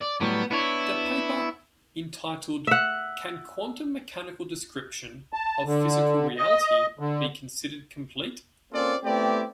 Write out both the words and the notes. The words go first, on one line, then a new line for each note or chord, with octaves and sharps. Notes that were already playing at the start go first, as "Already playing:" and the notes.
The paper, entitled Can quantum-mechanical description of physical reality be considered complete?
D5
A2 F#3 G3 B3
B3 D4 E4 C#5
E5 F#5
A5
D3
D#5
D3
A#3 C4 C#4 F4 A4 D5
A3 B3 C4 E4 G4 D5